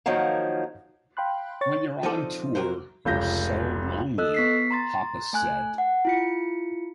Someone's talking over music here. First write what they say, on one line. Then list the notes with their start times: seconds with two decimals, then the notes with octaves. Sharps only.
"When you're on tour, you're so lonely," Hoppus said.
0.06 D#3 F3 F#3 A#3
1.17 F5 G5 B5 C6 F#6
1.61 C#5 C#6 A6
2.03 F3 C4 D#4 F4 A4 D5
2.55 C2 A#2 F#3 A#4 C5
3.05 F1 C#2 G6 A#6
4.18 A4 D#5 E6 F#6
4.34 B3 B6 C7
4.70 A#5 C6 A6
5.33 A3 G#5 F#6
5.78 F#5
6.05 E4 F4 C#7